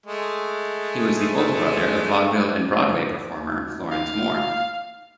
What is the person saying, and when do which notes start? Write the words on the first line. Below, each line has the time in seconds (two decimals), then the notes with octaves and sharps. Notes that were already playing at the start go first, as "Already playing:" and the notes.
He was the older brother of vaudeville and Broadway performer Florence Moore.
0.06 G#3 A3
3.91 F5